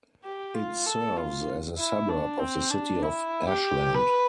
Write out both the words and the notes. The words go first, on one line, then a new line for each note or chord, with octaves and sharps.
It serves as a suburb of the city of Ashland.
G4
F4
A4
F4
E4
D4
C4
D4
E4
G4
B4